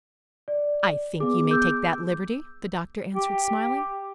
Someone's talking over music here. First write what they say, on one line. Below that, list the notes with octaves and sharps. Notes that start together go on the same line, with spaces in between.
"I think you may take that liberty," the Doctor answered, smiling.
D5
B3 G#4 D6
D6 E6 G6
G4